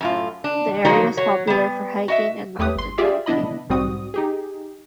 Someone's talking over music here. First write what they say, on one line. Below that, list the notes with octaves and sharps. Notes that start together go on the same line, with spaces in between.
The area is popular for hiking and mountain biking.
F#2 A2 F4
D4
F3 F#3 A#3 D#4 F#4
F#3 C#5
G3 B3
F#4 D#5 E5
E2 A3 G4 B4 C#5 D#6
G1 C6
F4 G4 G#4 D5 E5 F5
B3 D4 E4 D#5 B5
B1 G#2 G3 C4 F#4 D#6
D#4 G4 G#4